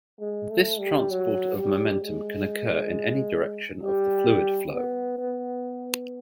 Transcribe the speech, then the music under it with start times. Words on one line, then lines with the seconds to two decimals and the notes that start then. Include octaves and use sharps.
This transport of momentum can occur in any direction of the fluid flow.
0.20 G#3
0.50 A3
0.80 G3
1.10 F#3
1.56 G3
2.01 G#3
3.83 G3
4.73 B3
5.19 B3